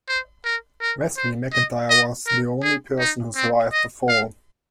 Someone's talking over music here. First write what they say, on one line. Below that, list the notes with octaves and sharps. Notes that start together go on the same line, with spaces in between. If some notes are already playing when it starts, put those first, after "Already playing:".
Wesley MacIntire was the only person who survived the fall.
C5
A#4
A#4
C5
D#5
D#5
A#4
G#4
D#4
C4
D#5
F5